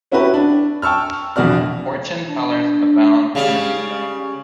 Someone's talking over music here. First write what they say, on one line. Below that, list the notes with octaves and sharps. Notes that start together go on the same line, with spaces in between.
Fortune tellers abound in Aruba.
B3 C#4 E4 F#4 G4 B4
D4
G5 A5 C#6 E6 F6
A#1 E2 B2 F#4 D5 F6
D4
C#3 G3 F5